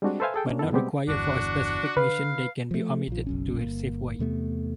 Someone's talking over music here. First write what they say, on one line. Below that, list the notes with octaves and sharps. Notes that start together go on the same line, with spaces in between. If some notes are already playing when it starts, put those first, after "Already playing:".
When not required for a specific mission they can be omitted to save weight.
G3 G#3 C4 D4 F#4
A4 B4 C5 E5 F5 G#5
G#4 A4 G5
A#3 C#4 D4
F#2 B3 E4 A4
B2 G3 G#3 B3 C4 G4
G1 E2 D4 F#4
D3 B4 F5
F3 A3
A#1 F3
F#1 B1 C#4
G1 A#3
E2 C3 A3 B3